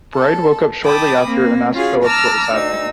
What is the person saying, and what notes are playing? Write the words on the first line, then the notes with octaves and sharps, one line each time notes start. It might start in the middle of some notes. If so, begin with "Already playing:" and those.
Bride woke up shortly after and asked Phillips what was happening.
A4 A5
G5 A5 B5 D6 D#6
A#3 C4
C#4 F4 F#4 G#4 F5
A5 A#5 D6 E6 F6 A6
D2 D#4 E6